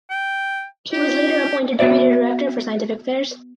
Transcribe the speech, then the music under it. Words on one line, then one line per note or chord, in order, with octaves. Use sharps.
He was later appointed deputy director for scientific affairs.
G5
C#4 D#4 F4 G4
B3 F#4 C#5 D5 E5